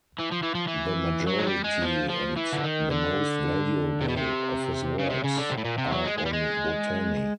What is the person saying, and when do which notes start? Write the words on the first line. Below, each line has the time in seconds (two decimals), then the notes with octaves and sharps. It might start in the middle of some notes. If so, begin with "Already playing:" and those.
The majority and the most valuable of his works are on botany.
0.19 E3
0.31 F3
0.43 E3
0.55 F3
0.68 E3
1.27 F#3
1.39 G#3
1.47 G3
1.64 G#3
1.82 F3
2.09 F3
2.37 E3
2.52 D3
2.64 D#3
2.91 D3
4.01 C3
4.09 B2
4.17 C3
4.99 C#3
5.10 C3
5.24 C#3
5.37 D3
5.50 C3
5.58 A2
5.65 A#2
5.78 C3
5.92 F#3
6.05 G#3
6.18 G#3
6.26 G3
6.33 G#3